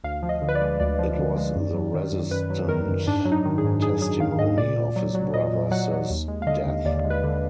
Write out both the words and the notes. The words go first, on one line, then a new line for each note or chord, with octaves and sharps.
It was the resistant testimony of his brothers’ death.
D2 F5
F3
D#5
D3
B4
D5
G#3
D2 D5
F3
D3
G#3
F#2
F#3
D#3
F#2
F#2 B4
F#3
D#3 A#4
F#2
G#2 D4
F#3
D#4
D#3
G#4
G#2
G#2 G#4
F#3 G#4
D#3 F5
G#2 D#5
A#2 D5
A#2
F#3
F#3
A#2 D#5
A#2
F#3 F#5
F#3
D#2
G#3
F5
D3 D#5
D#2
D#2 D5
G#3
B4
D3